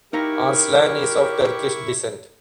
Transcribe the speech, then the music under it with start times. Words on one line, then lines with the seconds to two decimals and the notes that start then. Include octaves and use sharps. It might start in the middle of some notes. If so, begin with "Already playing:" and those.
Arslan is of Turkish descent.
0.13 D#4 E4 G4 A#4 F5 A#5 C#6